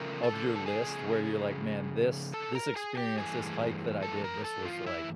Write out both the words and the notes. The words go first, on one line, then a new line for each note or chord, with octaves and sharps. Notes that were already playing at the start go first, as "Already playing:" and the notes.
of your list where you're like, "Man, this this experience, this hike that I did, this was, like
Already playing: C#3 F3 A3 A#4
A4 A5
A5
G#4 G#5
A4 A5
A#4 A#5
G#4 G#5
G4 G5
G2 E3 A3 G#4 G#5
A4 A5
A#4 A#5
A4 A5
F4 F5
E4 E5